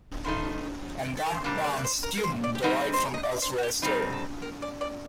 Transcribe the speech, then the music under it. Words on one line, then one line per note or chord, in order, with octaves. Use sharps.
And that band's tunes derive from elsewhere still.
G2 D#3 A3 D#4 C5
A4
A#4
C5
C3 G3 A#3 D4 D5
D5
D5
C5
A#4
A#4
C5
D5
G4
A#2 G3 C4 D#4 F#4
C5
D#5
D5
C5
F#4
G4
A#2 G3 C4 D#4 G4
A4
A#4
D5
D5